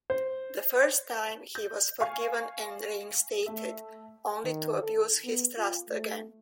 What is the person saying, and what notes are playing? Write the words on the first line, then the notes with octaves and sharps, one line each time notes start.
The first time he was forgiven and reinstated, only to abuse his trust again.
C5
G6
F5 G#5 C#6
A3 E5
D#3
A4
B3
F4
A3